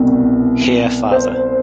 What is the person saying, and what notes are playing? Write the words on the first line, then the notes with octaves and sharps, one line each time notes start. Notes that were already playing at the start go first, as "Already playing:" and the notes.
Here Fr.
Already playing: C2 B2
C5